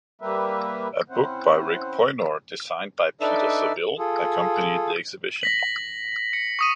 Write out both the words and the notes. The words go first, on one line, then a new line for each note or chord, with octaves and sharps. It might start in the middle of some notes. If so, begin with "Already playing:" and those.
A book by Rick Poynor, "Designed by Peter Saville", accompanied the exhibition.
G3 A#3 G4 A#4 B4 E5
C4 C#4 E4 C5 F#5
D4 D#4 A4 B4 D5 E5
F4 G#4 A4
A#6 B6 F#7
C#7
C#6 D#6 D#7